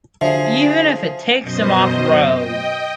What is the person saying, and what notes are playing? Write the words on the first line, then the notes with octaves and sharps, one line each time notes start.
Even if it takes him off road.
D3 F3 F#3 G#4 E5
F#2 B2 C5 D#5
D#5 G5